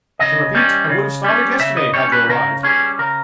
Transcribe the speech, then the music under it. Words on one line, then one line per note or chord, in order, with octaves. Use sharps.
To repeat, I would have started yesterday, had you arrived.
C#3 D#5
G3 C#4
C#3
G3 C#4
C#3 E5
D#5
G3 C#4 C#5
B4
C#3 A#4
G3 C#4 G#4
C#3 A#4